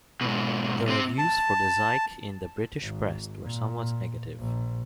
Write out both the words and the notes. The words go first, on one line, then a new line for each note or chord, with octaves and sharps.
The reviews for the Zike in the British press were somewhat negative.
G#2 B2
C3 C4
A5
G#1
A#2
A#1